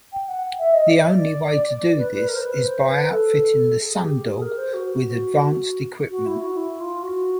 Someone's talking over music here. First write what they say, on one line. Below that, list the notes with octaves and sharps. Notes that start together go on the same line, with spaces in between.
The only way to do this is by outfitting the SunDog with advanced equipment.
G5
F#5
E5
D#5
D5
B4
B4
A#4
C5
B4
C5
B4
A4
G#4
G4
G#4
A#4
C5
F#4
F#4
E4
F#4
E4
F4
F#4